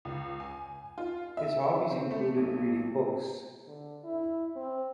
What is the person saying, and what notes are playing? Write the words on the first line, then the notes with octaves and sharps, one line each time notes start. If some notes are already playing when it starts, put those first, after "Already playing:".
His hobbies included reading books.
C#2
G#5
F4
E5
C4
A3
B1
D3
E4
C4